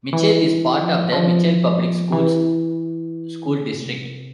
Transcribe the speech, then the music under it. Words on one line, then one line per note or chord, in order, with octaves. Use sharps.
Mitchell is part of the Mitchell Public Schools School District.
E3
F3
F3
E3
D3
C3